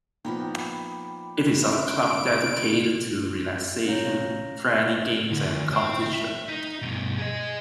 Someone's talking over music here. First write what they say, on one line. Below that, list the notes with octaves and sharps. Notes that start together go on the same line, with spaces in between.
It is a Club dedicated to relaxation, friendly games and competition.
A#2 F3 B3 D#4 G5 B5
C#3 A#4 E5 B5 C6 F6 D7
C#4 C#5 F5 A#5 G6 A#6
D2
C5 G5
E5
D#4
G2 B2
G#4 D#5